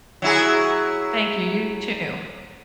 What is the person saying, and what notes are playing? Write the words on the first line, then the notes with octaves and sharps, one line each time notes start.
Thank you, you, too.
F#3 E4 G#4